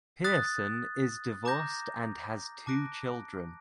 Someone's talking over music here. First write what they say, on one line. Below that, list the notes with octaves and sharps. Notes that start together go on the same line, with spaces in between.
Pearson is divorced and has two children.
D#6 F#6 A6
A#5 D6 G6 A#6
A5 D6 F#6 A#6 D7